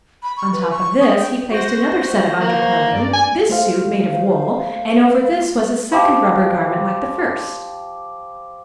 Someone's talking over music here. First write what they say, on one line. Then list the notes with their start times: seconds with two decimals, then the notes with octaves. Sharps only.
On top of this he placed another set of under-clothing, this suit made of wool, and over this was a second rubber garment like the first.
0.23 B5
0.37 C#6
0.54 B4
0.72 C#6
1.01 D#6
1.18 G5
1.50 F#4 C5 A#6
2.41 A#3
2.91 G2 D5
3.13 G#5
3.49 A3 C5 F5
5.92 F3 G4